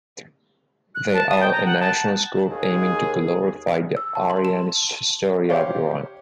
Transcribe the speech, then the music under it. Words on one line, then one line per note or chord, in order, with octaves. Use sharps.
They are a nationalist group aiming to glorify the Aryan history of Iran.
F#6
A5
D#6
G5
A#5
F#5
A5
D#2 G#4
E6
A5
C6
E7
G4 C5 C#5 F5